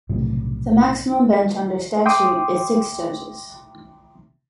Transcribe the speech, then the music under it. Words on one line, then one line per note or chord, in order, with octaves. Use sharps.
The maximum bench under statute is six judges.
B1 A2 C3 F3
E5 G5 C6 D6 D#6